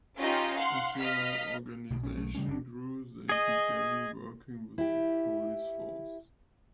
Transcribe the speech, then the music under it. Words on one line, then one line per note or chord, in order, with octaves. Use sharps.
As the organization grew they began working with the police force.
C#4 D#4 F4 G4 D#5
F5 F#5 C6
D#5 F5 F6 B6
B1 B2 D3
A#1 C#4
B1 A3
C#3 G3 A3 C#4
F#1 D4
G#4 D#5
E4 G4